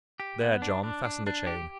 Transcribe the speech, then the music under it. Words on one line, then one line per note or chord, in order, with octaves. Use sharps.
There, John, fasten the chain.
G4
B3
D4
D4
D4
D4
G4